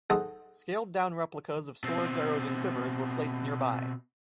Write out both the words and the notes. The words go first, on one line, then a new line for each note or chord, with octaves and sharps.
Scaled-down replicas of swords, arrows and quivers were placed nearby.
D#4 G#4 A4 C5 D#5 F#5
B2 C4